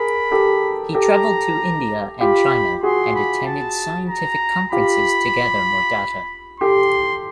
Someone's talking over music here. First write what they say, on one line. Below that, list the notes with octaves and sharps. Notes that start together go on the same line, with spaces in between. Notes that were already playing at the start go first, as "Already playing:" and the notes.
He traveled to India and China and attended scientific conferences to gather more data.
Already playing: G#4 A#4 B5
G4 A4
G4 A4 A#5
F4 G4 B5
F#4 G#4 C6
B5
A5
A#5
F4 G4 B5
G4 A4 C6